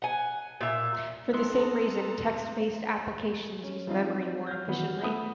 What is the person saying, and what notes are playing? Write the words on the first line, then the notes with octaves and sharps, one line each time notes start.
For the same reason, text-based applications use memory more efficiently.
F#5 G#5
A#2 E5
B3 C4 E4 A4 A#5 C6 D#6 F#6
C#4
F3 G3 C4 D#4 F4
F6 G6
E3 F#3 B3
G3
A3 B3 B4 D#6 D#7